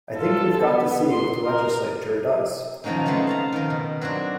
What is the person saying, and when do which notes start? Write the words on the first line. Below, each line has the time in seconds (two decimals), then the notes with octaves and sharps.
I think we've got to see what the Legislature does.
0.17 F4 A4
0.61 B3
1.10 C6
1.46 A#4
2.84 D#3 F3 F#3 A#3 C#4 D#4
3.06 C#3 G#3 A3 B3 C4
3.27 F5 A5 A#5
3.52 D#3 F3 A#4
3.70 B2
4.01 F#3 C4 D4 F#4